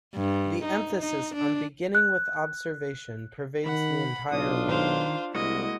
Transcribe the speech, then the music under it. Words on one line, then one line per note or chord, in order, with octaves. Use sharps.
The emphasis on beginning with observation pervades the entire work.
G2
D#4
D#4
D4
F#6
D#3 F#5 B5
B1 D4 F4 D#6
D#3 C5 F5
C2 G#3 A#3 E4 F#4 D#5